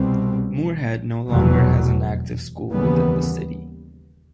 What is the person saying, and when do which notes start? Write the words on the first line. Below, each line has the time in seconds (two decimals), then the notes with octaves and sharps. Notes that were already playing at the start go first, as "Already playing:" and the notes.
Moorhead no longer has an active school within the city.
Already playing: C2 B2 G3 C4
1.28 F1 E2 B2 F#3
2.71 D#2 C#3 E3 G3 B3